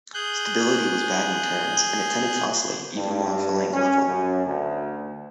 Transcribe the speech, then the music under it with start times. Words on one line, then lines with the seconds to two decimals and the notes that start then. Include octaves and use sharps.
Stability was bad in turns, and it tended to oscillate, even while flying level.
0.14 G#4 F#6 G6
2.96 G2
3.73 C#4
4.06 F#2
4.46 D2